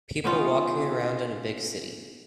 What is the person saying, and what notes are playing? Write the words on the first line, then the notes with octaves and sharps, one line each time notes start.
People walking around in a big city.
B3 C#4 D#4 F4